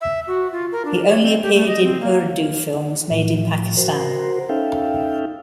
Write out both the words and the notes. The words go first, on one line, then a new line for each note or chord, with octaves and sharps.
He only appeared in Urdu films made in Pakistan.
E5
F#4
F4
A#4
D4
C#5
C4
G4
A3
D#5
C4
A#3
A2 F3
F#4 A#4 C5
C#4 D#4 A4 E5 F5 G5